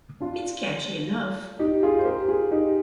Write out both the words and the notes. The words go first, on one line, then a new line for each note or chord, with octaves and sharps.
It's catchy enough.
D4 F4
D#4 G4
F4 G#4
C5
G4 A#4
F4 G#4
D#4 G4